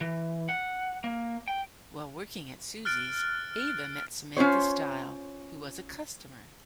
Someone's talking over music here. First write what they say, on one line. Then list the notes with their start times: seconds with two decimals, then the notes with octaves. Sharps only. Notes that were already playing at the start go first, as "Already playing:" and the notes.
While working at Suzy's, Ava met Samantha Style, who was a customer.
0.01 E3
0.49 F#5
1.04 A#3
1.48 G5
2.85 F6 F#6 A6 D7
4.37 C#4 F4 C5 C#5